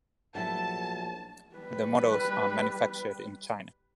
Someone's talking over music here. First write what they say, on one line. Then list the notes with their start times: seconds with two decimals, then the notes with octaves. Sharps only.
The models are manufactured in China.
0.35 A#1 F#3 A3 E4 A5
1.55 G3 B4